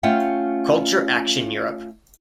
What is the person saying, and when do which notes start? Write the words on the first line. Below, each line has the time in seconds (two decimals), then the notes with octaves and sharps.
Culture Action Europe.
0.03 A3 C#4 F4 F#5 G5